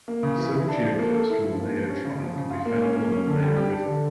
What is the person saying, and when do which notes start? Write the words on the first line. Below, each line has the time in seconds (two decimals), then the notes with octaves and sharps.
Several geoglyphs from the Mayo tribe can be found along the Mayo River.
0.08 A#3
0.23 C#3
0.38 E3
0.53 E4
0.68 D4
0.84 F3
0.99 A#3
1.14 A4
1.29 E4
1.45 F3
1.60 A#3
1.75 F3
1.89 C#4
2.05 C#3
2.20 F3
2.36 C#3
2.50 F4
2.66 A#3
2.81 C#4
2.97 A#3
3.11 C#4
3.27 D3
3.42 G3
3.56 G4
3.73 D4
3.88 D3